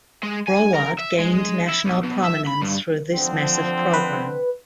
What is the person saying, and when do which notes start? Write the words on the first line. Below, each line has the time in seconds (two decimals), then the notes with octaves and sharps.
Broward gained national prominence through this massive program.
0.23 G#3
0.47 G#5
0.74 A#4
0.99 E5
1.19 G#3
1.69 E4
1.86 B1
2.03 B2
2.24 E5
2.46 B5
2.62 G2
3.14 D3 F3 C4
3.93 B4